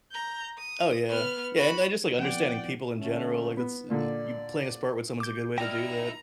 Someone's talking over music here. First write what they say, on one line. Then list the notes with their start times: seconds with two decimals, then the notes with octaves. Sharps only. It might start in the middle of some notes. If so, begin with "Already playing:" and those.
Oh yeah yeah, and I just like understanding people in general, like that's, eh eh, you playing a sport with someone, is a good way to do that.
0.11 A#5 G6
0.58 D#6
1.10 B3 F6
1.57 F#4 B5
2.18 F3 B3 C4 D5 F#5 G5
2.97 D3 A3 C#4
3.57 B3
3.90 A#2 D3 D5
5.20 D6 G6
5.58 D#4 E4 D5 G5 A#5 F6 A#6